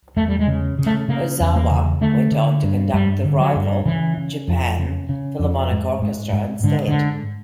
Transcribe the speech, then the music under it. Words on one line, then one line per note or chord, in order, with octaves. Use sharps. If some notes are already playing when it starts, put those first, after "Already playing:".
Ozawa went on to conduct the rival Japan Philharmonic Orchestra instead.
E2 A3
G3
G#3
C#3
C#3
A3
C#3 A#3
E2
A#3
C#3
D3 A3
D3
G2
G2 G3
D3
F#3
G2
C#3 E3
C#3
F2
C#3
C#3
F2
G#2
G#2
G#2
G#2 D3
D3
G#2